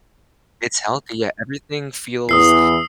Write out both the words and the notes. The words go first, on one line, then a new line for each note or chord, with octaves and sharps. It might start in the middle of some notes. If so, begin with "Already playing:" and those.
it's healthy, yeah, everything feels
E2 E3 D#6 E6 C7